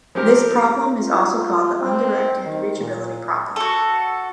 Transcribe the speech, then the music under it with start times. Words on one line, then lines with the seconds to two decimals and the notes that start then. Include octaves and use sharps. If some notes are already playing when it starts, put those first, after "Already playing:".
This problem is also called the undirected reachability problem.
0.15 F3 C4 G4 A#4
1.01 F4
1.38 F4
1.81 C4
2.45 D#3
2.80 A#2
3.56 F#4 A4